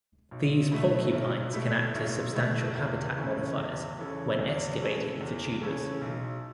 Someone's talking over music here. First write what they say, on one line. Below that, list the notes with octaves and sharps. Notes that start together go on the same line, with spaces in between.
These porcupines can act as substantial habitat modifiers when excavating for tubers.
B1
B2 A3 E4
B1
B2 A3 E4
B1
B2 A3 E4
E2
C#3 E3 C#4 A4
E2
C#3 E3 C#4 A4
E2
C#3 E3 C#4 A4
E2
C#3 E3 C#4 A4
B1